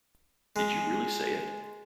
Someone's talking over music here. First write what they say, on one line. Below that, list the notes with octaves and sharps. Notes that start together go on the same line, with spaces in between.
Did you really say it?
G#3